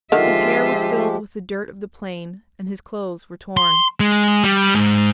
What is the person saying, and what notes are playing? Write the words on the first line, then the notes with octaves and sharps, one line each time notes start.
His hair was filled with the dirt of the plain, and his clothes were torn.
D3 D#3 F3 G#3 F4 G4 E5
C6
G#3
G3
G#2